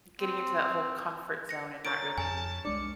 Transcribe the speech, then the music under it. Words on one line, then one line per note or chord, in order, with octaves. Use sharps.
getting into that whole comfort zone, and not really
C4
A#6 C#7
A#4 C#5 A6 D7
F2 G#5 A5
C2 G#3 D4 D5 C#7